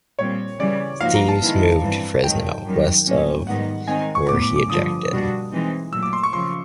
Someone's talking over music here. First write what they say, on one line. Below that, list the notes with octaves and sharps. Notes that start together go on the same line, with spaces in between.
Steeves moved to Fresno, west of where he ejected.
A#2 G3 C4 C#5
C#3 E3 G3 D5
G#2 F3 A#3 D#4 F#4 F5
A#5
A5
D#3 G#3 B3 E4
G2 E3 G3 C4
G#2 D#3 F#3 G5
F#2 D#3 G3
A2 F#3 A#3 C#4
G#2 D#3 G3 B3 D#4 F#5
D#3 G#3 C4 D#4 G#5
C#6
A2 F#3 B3 D6
D6
D6
G2 D3 F3 D#6
B2 G3 A#3 D4 F#4
E3 G#3 C4 D#4
A#2 F#3 A3 E6
D6
C6
C#6
C#3 F3 C6